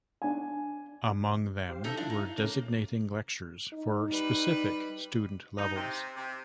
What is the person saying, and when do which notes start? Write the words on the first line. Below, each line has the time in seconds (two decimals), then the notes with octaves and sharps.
Among them were designating lectures for specific student levels.
0.22 D4 G#5
1.69 G4 C5 F5
1.84 C#3 D#4 A4 E5
1.97 D4 E4 F4
2.10 D#4
2.38 C#3 A3 A#3 C#4
3.73 D#4
4.10 G3 B4
5.58 D#4
5.76 C3
6.16 C3